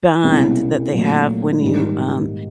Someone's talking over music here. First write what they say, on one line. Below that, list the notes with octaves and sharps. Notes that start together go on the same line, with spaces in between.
bond that they have when you um,
C2 B2 G#3 C#4 E4
A#2 F#3 A3
G#2 D#3 G3